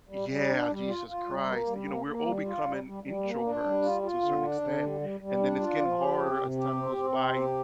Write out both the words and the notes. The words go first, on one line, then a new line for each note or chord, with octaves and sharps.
Yeah, Jesus Christ, you know, we're all becoming introverts to a certain extent, and then it's getting harder as time goes by
G3
G3
D4
G3
F4
F4
G3
A#3
G3
A#3
A#3
G3
F4
G3
G3
G3
A#3
D4
G3
F4
F4
D3
D4
D3
G3
G3
G3
D4
F4
F3
G4
C3
C3
G4
C4
C4
C3
G4